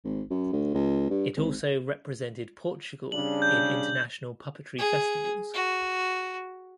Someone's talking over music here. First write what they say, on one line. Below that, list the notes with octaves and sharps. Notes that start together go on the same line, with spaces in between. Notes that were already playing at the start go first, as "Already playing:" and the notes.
It also represented Portugal in international puppetry festivals.
G#1
F#2
D2
C#2
G2
G#1
C#3 G3 D4 F#7
G6
G#4
F#4